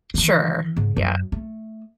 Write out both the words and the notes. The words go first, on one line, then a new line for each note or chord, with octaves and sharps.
Sure. Yeah.
D#3 E3
G#2 C#3
F#2
A3